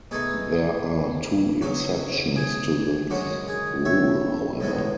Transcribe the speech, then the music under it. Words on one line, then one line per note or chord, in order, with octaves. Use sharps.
There are two exceptions to this rule, however.
B2 A3 D#4 G#4
E2 C#3 F#3 F#4
G#4
F#2 C#3 G#3 F#4
G#4
C#5 E5
A2 G#3 B3